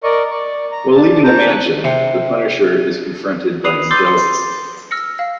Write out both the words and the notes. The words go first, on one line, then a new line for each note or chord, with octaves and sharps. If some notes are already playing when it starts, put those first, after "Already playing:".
While leaving the mansion, the Punisher is confronted by Angela.
A#4 D5 D#5 C#6
D5 C#6
A#5
D4 A5
C5 A5 A#5
F#6
C3
B4 B5 D#6 C7 D#7 F7
C6 D6 E6 G6 A6 C7
C6 C#7
E6 F6 A#6 C#7
F5